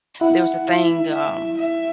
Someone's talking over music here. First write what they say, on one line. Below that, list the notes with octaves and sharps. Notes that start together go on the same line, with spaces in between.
there was a thing, um,
E4 F#5
E5
E5
E5